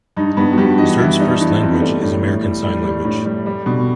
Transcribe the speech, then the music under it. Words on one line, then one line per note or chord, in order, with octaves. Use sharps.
Stern's first language is American Sign Language.
G2 D#4
G2 B3
F#4
G2 G4
E3 D#5
E3 E4
G3 D#4
E3 D#4
G3 C4
B3
G3 A3
A2
A2
G3
G3
G3
A2
G3
G3
B2